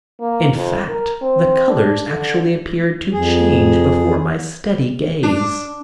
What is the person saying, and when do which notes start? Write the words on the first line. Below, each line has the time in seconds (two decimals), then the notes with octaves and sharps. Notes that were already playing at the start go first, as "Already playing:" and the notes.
In fact the colors actually appeared to change before my steady gaze.
0.20 A#3
0.55 F2
0.89 A#4
1.22 C4
1.70 D4
2.08 D3
3.12 F2 G#4
5.23 D4